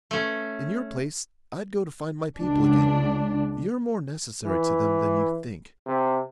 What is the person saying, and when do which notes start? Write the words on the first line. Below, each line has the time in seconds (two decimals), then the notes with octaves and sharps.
In your place, I'd go to find my people again. You're more necessary to them than you think.
0.11 A3 C#4
2.39 C#2 D4
4.45 E3
5.86 C3